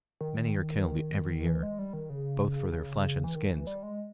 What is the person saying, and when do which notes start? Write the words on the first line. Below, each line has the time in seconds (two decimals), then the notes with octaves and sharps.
Many are killed every year, both for their flesh and skins.
0.21 D#3
1.46 E3
1.63 G#3
1.79 G3
1.93 D#3
2.10 C#3
2.72 C#3
3.24 E3
3.35 D#3
3.51 E3
3.67 G3
3.83 G#3